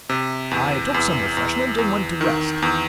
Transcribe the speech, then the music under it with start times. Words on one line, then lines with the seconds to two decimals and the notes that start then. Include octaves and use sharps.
I took some refreshment, and went to rest.
0.09 C3
0.51 E2
0.94 E2
1.37 E2
1.78 E2
2.21 D#3
2.62 E2